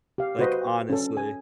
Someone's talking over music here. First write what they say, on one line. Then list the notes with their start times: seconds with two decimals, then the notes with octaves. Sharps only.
Like, honestly.
0.18 G4 F5
0.39 F#4 B4 C5 D#5
0.89 C#4 A4
1.17 G#5